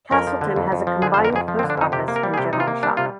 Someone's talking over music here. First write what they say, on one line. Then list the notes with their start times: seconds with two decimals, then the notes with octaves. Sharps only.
Castleton has a combined post office and general shop.
0.11 F2 A#4
0.27 F3
0.41 D3
0.56 F2
0.72 F2
0.87 F3
1.02 D3 G#4
1.14 C5
1.18 F2
1.25 A#4
1.33 F2 G#4
1.48 F3
1.59 C4
1.63 D3
1.70 D4
1.77 F2 D#4
1.92 C3 G4
2.08 A#3
2.16 A#4
2.23 G3
2.34 G#4
2.38 C3 G4
2.53 C3 D#4
2.60 F4
2.68 A#3
2.83 G3 D4
2.97 C3 F4